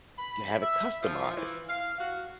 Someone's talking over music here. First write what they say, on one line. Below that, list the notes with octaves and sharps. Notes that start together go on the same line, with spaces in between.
ge have it customized.
B5
E5
F3
E3
F5
F#4